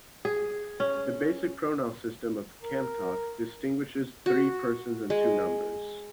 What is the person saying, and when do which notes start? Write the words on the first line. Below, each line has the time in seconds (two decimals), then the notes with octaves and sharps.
The basic pronoun system of Kamtok distinguishes three persons and two numbers.
0.25 G#4
0.80 C#4
2.63 A#4
4.26 F#4
5.10 G#3